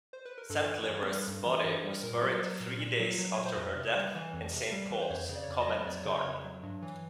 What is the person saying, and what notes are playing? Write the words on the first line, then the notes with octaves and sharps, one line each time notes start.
Centlivre's body was buried three days after her death in Saint Paul's, Covent Garden.
C5
B4
A#4
G2 A4
E3
G2
G3
G2
E3
G2
G3
A#2 A#4
F#3
F#3
A#2
A#2
F#3
F#3
A#2 C#5
C5
F2 B4
C3
G3
E3
F2
C3
G3
E3 B4
C5
F2 C#5
C#3
D5
C#5
F2 D5
D#5
F#3
F2 D5
C#5
C#3 C5
C#5
F2
F#3
G2
E3